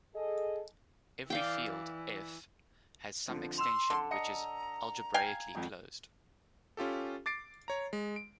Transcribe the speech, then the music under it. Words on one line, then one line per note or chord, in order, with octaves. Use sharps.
Every field "F" has some extension which is algebraically closed.
G#4 A4 D#5
E3 D5 F5 G5
F2 D3 F3
C6 E6 E7 F7
D3 A4
D#5 A#5 C#7
F5 G5 G#5 G#6
G#1 F2
C#4 F4 G4 A4
D6 A6 C7 D7
C#5 A#5
G#3
D7